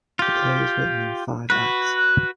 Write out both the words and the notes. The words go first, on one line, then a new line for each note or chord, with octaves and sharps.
The play is written in five acts.
F4 G4
F#4 B4